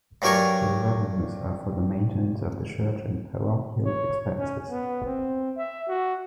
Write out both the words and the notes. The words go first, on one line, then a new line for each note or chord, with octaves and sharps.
The revenues are for the maintenance of the church and parochial expenses.
G2 F#3 G3 A#4 G#5 C#6
C#5
C#4
B3
C4
E5
F#4